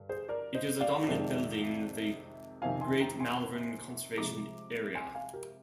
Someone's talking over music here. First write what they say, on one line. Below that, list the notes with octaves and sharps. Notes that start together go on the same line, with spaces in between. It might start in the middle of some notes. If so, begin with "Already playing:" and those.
It is a dominant building in the Great Malvern Conservation area.
Already playing: G2 D3 G3
G#4 C5
A#4 D5
C5 D#5
D5 F5
F2 C3 D#3 G#3
F2 C3 D#3 F5 G#5
G#5 C6
G5 A#5
G#5 C6
C3 F3 G#3 A#5 D6
G#5 C6
F5 G#5
G4 A#4